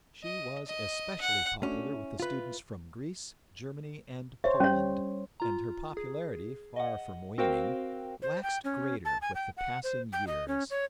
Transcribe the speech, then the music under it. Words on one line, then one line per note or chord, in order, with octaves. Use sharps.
She was especially popular with the students from Greece, Germany and Poland, and her popularity, far from waning, waxed greater with the passing years.
D#5
D#5
F#5
A3 C#4 D4 F#4
E4
F4 B4
C5 C#5 E5
G3 C#4 C#5
F4 A#5
G#4
D#5 F#5
C4 F#4 A#4 C5 F5 G5
C5
G5
C#4
A5
G#5
G5
F#5
C5
G5
D#5
C#4
C#5